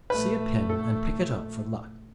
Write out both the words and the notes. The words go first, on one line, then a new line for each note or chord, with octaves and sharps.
See a pin and pick it up for luck.
A#1 A3 B4
A4